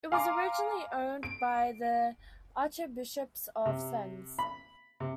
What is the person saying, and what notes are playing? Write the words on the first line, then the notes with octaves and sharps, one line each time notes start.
It was originally owned by the archbishops of Sens.
F5 G#5 A#5 C6 D6
D7
C3
B5
C3